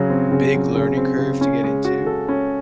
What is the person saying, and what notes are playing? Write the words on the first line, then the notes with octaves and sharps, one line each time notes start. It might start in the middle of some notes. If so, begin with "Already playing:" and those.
a big learning curve to get into
Already playing: C#3 F#3
C4
C#3
F#3
C#3
C4
C#3
C#4
G#3
F#4
A4
C#4